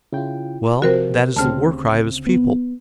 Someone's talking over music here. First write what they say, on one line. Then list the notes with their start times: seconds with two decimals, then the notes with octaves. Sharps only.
Well, that is the war-cry of his people.
0.13 C#3 E4 F4 G5
0.82 C3 F3 F#4 G4 A#4 C5
1.36 D2 C#3 C4 A5 F6
2.27 B3 B4